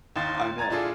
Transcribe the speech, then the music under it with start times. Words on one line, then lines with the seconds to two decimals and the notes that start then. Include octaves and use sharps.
I know.
0.16 D#2 D#4 F5 C6 A6
0.58 G#5 A#5 G#6 A6
0.70 A#2 D4 E4 F4 G#4 A4